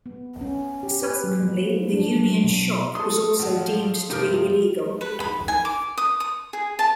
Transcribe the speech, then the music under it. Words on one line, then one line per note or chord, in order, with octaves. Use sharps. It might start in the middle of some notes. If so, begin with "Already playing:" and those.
Subsequently, the Union Shop was also deemed to be illegal.
B3
C#4
G4
B4
F#3
F3
D4
F#3
B2
A4 C6 D#6
A2 F#3
F3
G2 C3 F3 D#4 G4 A#4
B4
B5
G#5
D6
D#6
D#6
G#4
A5